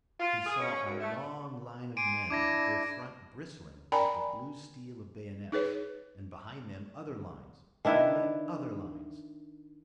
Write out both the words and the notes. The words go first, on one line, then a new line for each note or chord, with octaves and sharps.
He saw a long line of men, their front bristling with the blue steel of bayonets, and behind them other lines and yet other lines.
F4
G#4
C#4
F#2
A3
G#5 C6 D6 D7 D#7
D4 E4 D6 G#6 A#6
A#4 D5 G5 G#5 A#5 B5
D#4 G#4 B4 C#5
D#3 D4 E4 B4